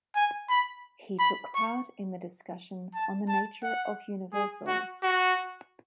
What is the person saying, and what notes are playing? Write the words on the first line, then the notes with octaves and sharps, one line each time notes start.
He took part in the discussions on the nature of Universals.
G#5
B5
B5
C#6
A5
A5
F#5
G#4
F#4
F#4